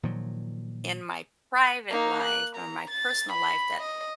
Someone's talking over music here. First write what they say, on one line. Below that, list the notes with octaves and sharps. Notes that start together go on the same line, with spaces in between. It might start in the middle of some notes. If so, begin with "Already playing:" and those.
In my private life or my personal life, that
A#2 D#3 F3 F#3
A#3 D#4
F#6
A#5
A6
B5
D#5